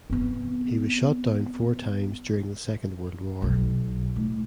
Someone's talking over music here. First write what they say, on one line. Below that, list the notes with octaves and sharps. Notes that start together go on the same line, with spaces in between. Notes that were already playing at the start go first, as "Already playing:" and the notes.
He was shot down four times during the Second World War.
B3 C4
B1
A2